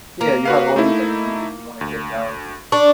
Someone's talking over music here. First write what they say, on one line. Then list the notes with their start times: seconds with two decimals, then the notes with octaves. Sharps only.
Yeah, you have all these ideas you wanna get down.
0.21 A#3
0.45 F#4 B4 F5
0.76 A3 D#4 E4
1.81 D2
2.72 D4 C#6